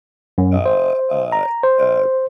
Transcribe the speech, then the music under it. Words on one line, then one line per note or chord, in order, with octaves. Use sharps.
uh, uh, uh
F#2
C5
A#5
C5